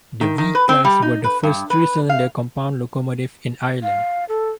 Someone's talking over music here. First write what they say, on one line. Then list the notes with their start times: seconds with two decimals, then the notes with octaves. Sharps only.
The V class were the first three-cylinder compound locomotives in Ireland.
0.21 D#3
0.38 D#3
0.55 B4
0.69 C4
0.85 G3
1.02 D#4
1.24 B4
1.43 G2
1.70 B4
2.09 F5
3.83 F5
4.29 A4